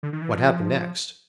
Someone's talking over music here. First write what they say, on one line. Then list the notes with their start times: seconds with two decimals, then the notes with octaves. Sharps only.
"What happened next?"
0.03 D3
0.13 D#3
0.22 E3
0.31 F3